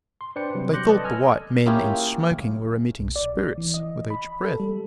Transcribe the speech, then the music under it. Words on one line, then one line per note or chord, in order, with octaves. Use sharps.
They thought the white men in smoking were emitting spirits with each breath.
C6
D4 B4 C5 D5 G5 C#7
C3 F#3 G3
C6 D6 F#6 G6 A#6 C#7
A4 B4 D5 D#5 A5
G#5 E6 F6 G#6
A#3 C#4 E4 F4 G4 G#4
B1
D5
E3
D#5
B5
A4
G3